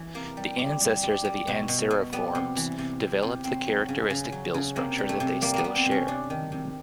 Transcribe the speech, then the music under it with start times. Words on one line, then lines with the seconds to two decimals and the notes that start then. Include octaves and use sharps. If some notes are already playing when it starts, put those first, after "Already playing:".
The ancestors of the Anseriformes developed the characteristic bill structure that they still share.
Already playing: E3
0.14 C3 A#3
0.37 G3
0.59 G3
0.81 G3
1.03 G3
1.25 G3
1.47 B2
1.68 B2
1.91 B2
2.13 G3 B3
2.35 C3
2.57 E3
2.78 C3
3.00 C3
3.23 C3
3.44 F#3 C4
3.67 F#3
3.88 C#3
4.10 C#3
4.32 F#3
4.54 C#3
4.76 C3 A#3
4.98 G3
5.09 A3
5.20 C3
5.42 G3 A#3
5.54 A#3 B3
5.64 G3
5.75 C4
5.86 C3
5.91 C#4
6.08 C3 D4
6.30 D#3
6.52 C3